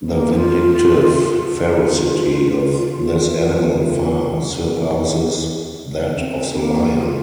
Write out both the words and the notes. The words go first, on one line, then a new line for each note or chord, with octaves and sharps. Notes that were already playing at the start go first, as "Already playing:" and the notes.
The vindictive ferocity of this animal far surpasses that of the lion.
A#3
F4
G#4
F4
D4
C4
A#3
G#4
F4